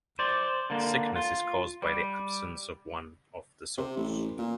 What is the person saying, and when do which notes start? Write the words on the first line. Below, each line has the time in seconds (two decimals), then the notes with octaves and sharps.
Sickness is caused by the absence of one of the souls.
0.19 C5 D5
0.70 D3 A#3
1.16 F4
1.82 G3
3.77 C3
3.97 A1
4.38 A#2